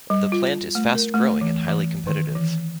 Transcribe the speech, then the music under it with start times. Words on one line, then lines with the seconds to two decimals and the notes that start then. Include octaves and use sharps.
The plant is fast-growing and highly competitive.
0.10 G3
0.32 F4
0.75 A3
0.95 A#4
1.14 A3
1.41 E3
1.68 E3
2.07 D#3
2.35 E3